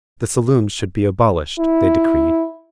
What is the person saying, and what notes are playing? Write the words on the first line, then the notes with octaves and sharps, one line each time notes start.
The saloons should be abolished, they decreed.
E4